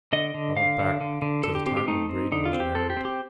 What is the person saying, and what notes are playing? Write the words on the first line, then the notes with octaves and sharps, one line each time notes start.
I went back--to the time when Braden was married.
D3 D#5
D3
D3 F5
D3
D3
D3
D3 A4
G4
C4 G4
G4
A3 D#4
C4
D3 D#4
F4
C4
G4
C4 A4
G4
C4
G4